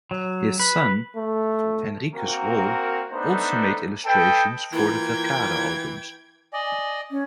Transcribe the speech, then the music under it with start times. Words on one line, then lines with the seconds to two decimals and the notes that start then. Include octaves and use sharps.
His son Henricus Rol also made illustrations for the Verkade albums.
0.11 F#3
0.60 B4
1.16 A3
2.14 A#3 C4 F#4 A#4
3.12 A3 B3 D4 D#4 A4 C5
4.06 A4 B4 D#5 G5
4.73 E3 A#3 E4 F4 G5 G#6
6.53 D5 D#5 G#5
6.65 G#5
7.11 C#4